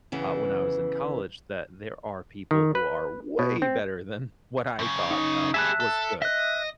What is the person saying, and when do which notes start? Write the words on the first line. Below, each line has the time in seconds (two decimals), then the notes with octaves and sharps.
uh, when I was in college that there are people who are way better than what I thought, um, was good.
0.12 C#3 E3 B3
2.51 D#3
2.75 B4
3.39 B2
3.62 C4
4.79 F#2 C#3
5.11 D#4
5.54 G3 G#4 E5 A5 F#6
5.80 A4
6.22 D#5 E5 F#6